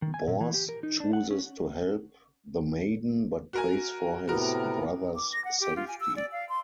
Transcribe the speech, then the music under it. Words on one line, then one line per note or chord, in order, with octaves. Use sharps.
Bors chooses to help the maiden, but prays for his brother's safety.
D#3
G#5
A#2
E3
G4
A#4
D#4
D4
F#5
C#4
F#4 A#4 G#5
A2 C3 B3 F#4 A#4
D6
A#6
F#5
G4
F4
G#5
E6
D5
F5
C6